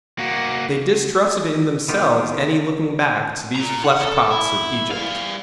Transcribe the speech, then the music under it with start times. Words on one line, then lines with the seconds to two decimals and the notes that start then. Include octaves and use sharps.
They distrusted in themselves any looking back to these flesh-pots of Egypt.
0.19 A#3 F#4
1.88 D#3 B3 F4 G4
3.56 F4 A#5
3.85 F#5
4.01 A4
4.31 E4
4.91 G3 F5